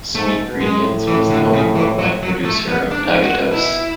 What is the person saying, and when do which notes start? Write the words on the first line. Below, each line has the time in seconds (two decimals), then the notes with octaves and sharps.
SweetGredients was the only worldwide producer of tagatose.
0.14 G#2 A3
0.46 B2
0.61 G#3
0.77 A2
1.07 E3
1.30 D3
1.53 C#3
1.75 E3
1.99 F#3
2.23 F#3
2.45 A3
2.68 B3
2.91 G#2 D4
3.22 F#4
3.37 B2
3.52 E4